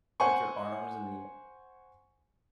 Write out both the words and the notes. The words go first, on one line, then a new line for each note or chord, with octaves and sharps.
with your arms in the ai
C5 F#5 G#5 C#6